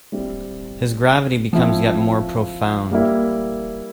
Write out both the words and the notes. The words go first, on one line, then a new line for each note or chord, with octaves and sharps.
His gravity becomes yet more profound.
G3 C4 E4 G4
F3 C4 E4
G3 A#3 E4